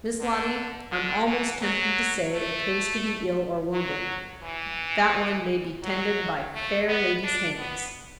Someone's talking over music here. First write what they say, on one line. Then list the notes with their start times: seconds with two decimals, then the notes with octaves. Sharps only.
"Miss Lottie, I'm almost tempted to say it pays to be ill or wounded, that one may be tended by fair ladies' hands."
0.21 D3
0.92 D3
1.27 E3
1.62 F#3
2.32 A3
3.73 F#3
4.43 E3
5.84 F#3
6.54 A3
6.89 B3
7.24 D4
7.59 B3